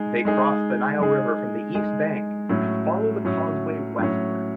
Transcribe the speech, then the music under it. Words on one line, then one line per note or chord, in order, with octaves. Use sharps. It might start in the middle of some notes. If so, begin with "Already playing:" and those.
They cross the Nile River from the east bank and follow the causeway westward.
Already playing: G#3 D#4 G#4
G#3 D#4 G#4
G#3 D#4 G#4
G#3 D#4 G#4
A2 F#3 C#4
A2 F#3 C#4
A2 F#3 C#4